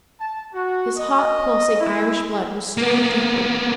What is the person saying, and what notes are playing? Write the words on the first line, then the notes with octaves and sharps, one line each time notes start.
His hot, pulsing Irish blood was stirred deeply.
A5
F#4
D#5
E4
A#3 B3